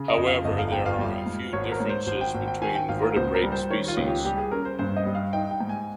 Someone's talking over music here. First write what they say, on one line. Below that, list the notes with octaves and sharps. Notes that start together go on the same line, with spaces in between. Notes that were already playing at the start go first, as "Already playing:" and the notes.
However, there are a few differences between vertebrate species.
Already playing: C#3
D#5
F2
F5
G1 D#5
F5
F2 G5
F5
G3
G#2
G#1 C#5
A#4
G#2
C5
G#1 C5
G5
G#1
G5
D#3 G#5
G5
G#1 F5
A#4
C#2 C5
A#4
G3
C5
D#3 C#5
F4
C#2
G4
G3 G4
G#4
C#4 A#4
C5
G2 C5
D#5
G3
F5
D#4 G5
G5
G#2
G#5